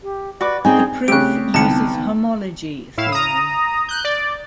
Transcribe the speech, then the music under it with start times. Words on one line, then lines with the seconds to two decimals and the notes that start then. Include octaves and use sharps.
The proof uses homology theory.
0.03 G4
0.41 F#4 B4 D5 D6
0.65 C4 C#4 D#4 G#4 G5 G#5
1.08 C#3 G3 A3 C4 G4 F#6 D7
1.54 C2 D3 B3 D#4 A5 C#7
2.97 A2 E4 F5 E7
3.12 A#5 D#6
3.89 F#6 G6
4.04 D5